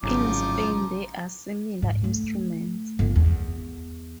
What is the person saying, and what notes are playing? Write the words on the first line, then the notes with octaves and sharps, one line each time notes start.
In Spain there are similar instruments.
G#1 F#2 A2 C#3 F3 D#4 D6
G#2
A3
G1 D3
E2